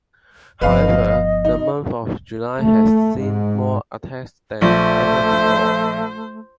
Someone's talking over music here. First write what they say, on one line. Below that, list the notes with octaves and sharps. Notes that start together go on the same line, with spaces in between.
However, the month of July has seen more attacks than ever before.
G1 F3 B4 D#5 F5
D#4
A3
G#2
A#1 A3 C5 E5